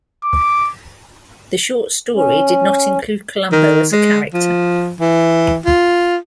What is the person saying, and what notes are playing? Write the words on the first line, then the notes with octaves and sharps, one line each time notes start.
The short story did not include Columbo as a character.
D6
C#4
D#3
G#3
F3
E3
F4